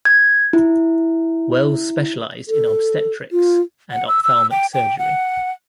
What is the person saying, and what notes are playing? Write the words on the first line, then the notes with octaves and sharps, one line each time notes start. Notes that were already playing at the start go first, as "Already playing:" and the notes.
Wells specialized in obstetrics and ophthalmic surgery.
G#6
E4
A4
F4
F#5
E6
E6
G5
G5
F#5